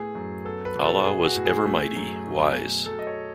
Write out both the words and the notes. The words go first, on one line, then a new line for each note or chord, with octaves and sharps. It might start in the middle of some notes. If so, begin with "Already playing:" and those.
Allah was ever Mighty, wise.
Already playing: A2 A3 B3 G#4
F#2
B3 A4
B4
B2
A4
B3 G#4
F#4
A2
G#4
A3
F#2
B2
A3
F#3 A4
D#5
C#5